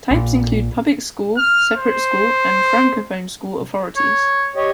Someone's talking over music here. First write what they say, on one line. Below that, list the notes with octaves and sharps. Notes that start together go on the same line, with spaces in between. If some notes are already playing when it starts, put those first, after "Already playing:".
Types include public school, separate school and francophone school authorities.
A#1 A#2
F6
C5
C#5
G4 C#5 D#5